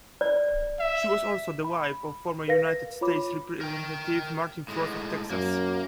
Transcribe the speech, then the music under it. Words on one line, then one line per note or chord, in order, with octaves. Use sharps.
She was also the wife of former United States Representative Martin Frost of Texas.
D5
E5
B5
A#4 B4 F5 A#6
F4 C#5 B5 D6
A#4 G5
A2 G#3
F#2 A#3